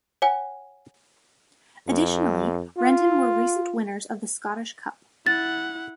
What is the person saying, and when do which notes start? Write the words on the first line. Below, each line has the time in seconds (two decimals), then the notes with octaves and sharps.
Additionally, Renton were recent winners of the Scottish Cup.
0.22 C#5 F#5 G#5
1.88 F2
2.77 F4
5.27 E4 F#5 A6